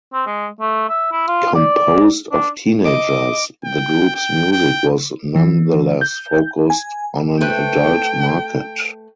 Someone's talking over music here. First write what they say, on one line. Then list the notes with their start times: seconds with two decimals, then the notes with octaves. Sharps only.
Composed of teenagers, the group's music was nonetheless focused on an adult market.
0.13 C4
0.26 G#3
0.61 A3
0.89 E5
1.12 E4
1.28 F4
1.55 D5
2.32 D4
2.84 D#5 D6
3.65 G5
4.15 G5
4.52 G5
5.36 E3
6.01 G6
6.70 G#5
7.41 A3 B4 C5 G5